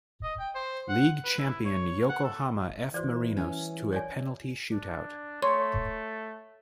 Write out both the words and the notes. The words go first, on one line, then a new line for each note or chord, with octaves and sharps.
League champion Yokohama F. Marinos to a penalty shootout.
D#5
G5
C5
F#5
B4
E4
C#5
F#5
A4
E3 F#4 C5 D5
C#4
C#5 D5 G#5
D4
A3 C#5 C6